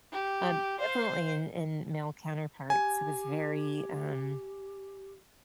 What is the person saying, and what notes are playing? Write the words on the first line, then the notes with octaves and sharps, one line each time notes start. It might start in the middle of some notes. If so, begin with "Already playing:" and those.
um, definitely in in male counterparts. I was very um
G4
C5 F5
G4 G#5